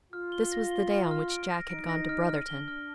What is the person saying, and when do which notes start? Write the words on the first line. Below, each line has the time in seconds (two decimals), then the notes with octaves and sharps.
This was the day on which Jack had gone to Brotherton.
0.13 F4 F6
0.32 G7
0.52 A#6
0.71 G7
0.91 F6
1.11 F6
1.30 D7
1.51 A#6
1.69 D#4 D7
1.89 A#6
2.09 F6
2.29 F6
2.48 D4 G7
2.68 F6